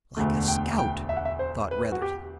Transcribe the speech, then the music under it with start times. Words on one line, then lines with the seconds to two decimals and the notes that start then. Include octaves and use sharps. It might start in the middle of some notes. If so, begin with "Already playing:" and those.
"Like a scout," thought Retherton.
0.17 E1 D2 D3 A3
0.48 G5
0.78 G5
1.09 E5
1.17 F#5
1.25 E5
1.39 C5
1.71 B4
1.92 F#4
2.02 G4